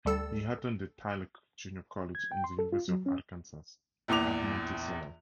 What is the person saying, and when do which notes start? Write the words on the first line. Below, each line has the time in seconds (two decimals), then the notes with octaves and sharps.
He attended Tyler Junior College and the University of Arkansas at Monticello.
0.05 D2 G3 A4 E6
2.15 G#6
2.32 G5
2.44 C6
2.59 A4
2.72 F4
2.88 F#3
3.06 C#4
4.08 A#1 E2 E3 D6 F7